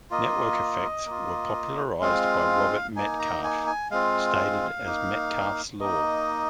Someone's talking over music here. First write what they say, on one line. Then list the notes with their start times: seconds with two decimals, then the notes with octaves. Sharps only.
Network effects were popularized by Robert Metcalfe, stated as Metcalfe's law.
0.11 A#3 F4 D#5
1.06 A#3 F4
2.01 G#3 C4 F4 F5
2.96 A#3 D#4 G#5
3.19 A#5
3.44 G#5
3.66 G#5
3.91 G#3 C4 F4 F5
4.86 A#3 D#4
5.80 A#3 D#4 D#5